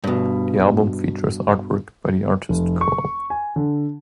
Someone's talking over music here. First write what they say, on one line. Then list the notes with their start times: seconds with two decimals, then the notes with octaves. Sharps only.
The album features artwork by the artist Coop.
0.04 G2 B2
2.50 F1
2.81 C#6
3.30 G#5
3.56 D3